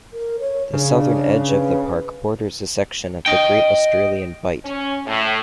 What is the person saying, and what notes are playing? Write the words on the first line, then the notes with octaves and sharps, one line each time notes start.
The southern edge of the park borders a section of the Great Australian Bight.
A#4
C#5
C#3 D4
D4
B4
D#5 G5
C#4
A2